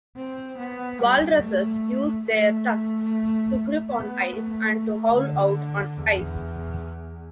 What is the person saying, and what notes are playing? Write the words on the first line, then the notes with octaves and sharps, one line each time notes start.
Walruses use their tusks to grip on ice and to haul out on ice.
C4
B3
G3
A3
A3
B3
A3
D3
E2